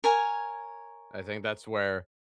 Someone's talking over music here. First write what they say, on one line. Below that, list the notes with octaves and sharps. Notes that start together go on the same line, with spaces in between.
I think that's where
A#4 C#5 G#5